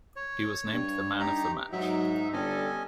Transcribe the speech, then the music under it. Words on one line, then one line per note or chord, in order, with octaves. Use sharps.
He was named the Man of the Match.
C#5
G2
D#4 G4 A#5
G#2 F#3 D#4 E5
G1 G3 C#4 A4 D#5 G#5